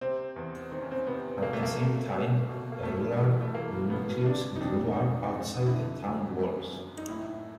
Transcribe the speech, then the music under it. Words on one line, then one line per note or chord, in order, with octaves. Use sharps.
At the same time, a rural nucleus grew up outside the town walls.
C3 C4
E2
D#3 C4
C#4
C4
C3 B3
B2 A#3
A3
A#3
B2
B2
B2
A#3
G2 A3
E3
A3
E3 A#3
G2 B3
D3 D4
D#4
F2 D4
F2 D#4
F2
D3 E4
F#2
F#2
F#2
D#4
A2 E4